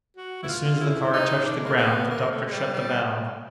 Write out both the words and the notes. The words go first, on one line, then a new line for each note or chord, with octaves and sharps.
As soon as the car touched the ground, the doctor shut the valve.
F#4
E4
F4
E4
D#4
D4
A#3
B3
A#3
A3
G#3
G3
G3